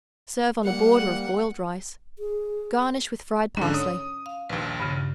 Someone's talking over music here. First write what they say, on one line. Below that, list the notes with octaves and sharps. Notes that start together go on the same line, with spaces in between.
Serve on a border of boiled rice; garnish with fried parsley.
G3 A#3 F#5
G#4
G#2 D3 C#4
C#5 D#6
F5
A#1 D#2 B4
G2 C#3